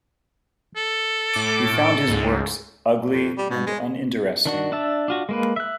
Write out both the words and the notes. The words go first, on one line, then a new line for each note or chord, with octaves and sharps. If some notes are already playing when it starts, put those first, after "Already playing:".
He found his works "ugly and uninteresting".
A4
A2 D6
C#2 G#2
F2
G3
B2
G#3
D#3 D4 F#4
D4 E5 A5
D4 F4 F#4
G#3 A#3 B4
E5 F#6